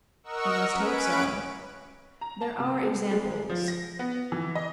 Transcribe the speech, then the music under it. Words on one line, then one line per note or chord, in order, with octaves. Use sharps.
We must hope so. There are examples.
A#4 D#5 F#5 C#6 E6
C#4 B4 D7
A#5
A5
C3
G#3
G#3
F3
A#6
B3
E3
D#5